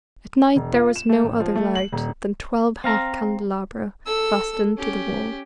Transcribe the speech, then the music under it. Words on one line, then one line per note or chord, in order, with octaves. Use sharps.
At night there was no other light than twelve half candelabra, fastened to the wall.
E1
F4
E7
A3
A1
F3
A3
F#7
D#1
C4 F5 A#5
A4 E6
C#4 G4